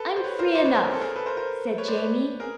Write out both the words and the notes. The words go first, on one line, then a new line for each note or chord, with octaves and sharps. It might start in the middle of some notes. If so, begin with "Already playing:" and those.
"I'm free enough," said Jamie.
Already playing: A4 B4
C5
B4 C#5
A#4 C5
C5 D5
B4 C#5
A#4 C5
A4
G#4 A#4
A4 B4
A#4 C5
A#4 C5
B4 C#5
C5 D5
B4 C#5
G#4 A#4